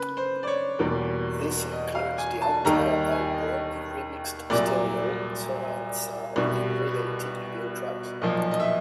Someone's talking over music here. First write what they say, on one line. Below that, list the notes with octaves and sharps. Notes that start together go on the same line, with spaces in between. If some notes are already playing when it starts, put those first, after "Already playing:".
This includes the entire album in remixed stereo, surround sound, and related video tracks.
Already playing: C#3 A#3 B4
C5
D5
C#5
E2 B2 G3 A#3 D5
D#5
F5
G#5
A5
D#2 D#3 G3 A#3 D#4 A#5
G#5
D#5
C2 A#2 F#3 D5
C2 B2 G3
B1 A#2 F3 D#5
D#5
E5